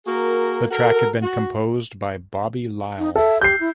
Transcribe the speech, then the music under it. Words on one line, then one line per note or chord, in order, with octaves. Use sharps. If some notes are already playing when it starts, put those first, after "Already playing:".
The track had been composed by Bobby Lile.
A#3 F#4 G#4 A#4
F#4 A4 A#4
F#4
D#4
A4 E5
G4 G6 C7
E4